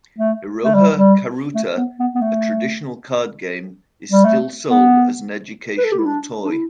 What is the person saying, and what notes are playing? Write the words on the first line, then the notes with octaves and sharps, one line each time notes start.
"Iroha karuta", a traditional card game, is still sold as an educational toy.
A3
A3
G3
G3
A3
B3
B3
B3
A3
G3
A3
B3
B4
A4
G4
E4
D4
D4
E4